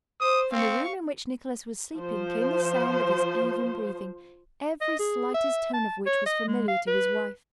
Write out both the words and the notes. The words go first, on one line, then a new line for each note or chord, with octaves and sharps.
From the room in which Nicholas was sleeping came the sound of his even breathing, every slightest tone of which was familiar to his wife.
C5 D#6
C4 F5 C#6
F3 C5
D#5
G#4
E5
A5
C#5
D#5
G#3
F5
B4